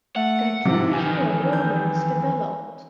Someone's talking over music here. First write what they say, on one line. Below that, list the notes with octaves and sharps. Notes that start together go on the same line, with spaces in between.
A two-year romance developed.
A3 F#5
G#2 C3 F3
F2 D#3 E3 G#5
G6